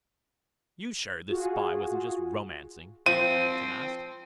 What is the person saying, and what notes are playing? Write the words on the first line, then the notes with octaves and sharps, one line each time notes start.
"You sure this spy wasn't just romancing?" Harrington asked.
F4 F#4 G#4
F3 C4 D#7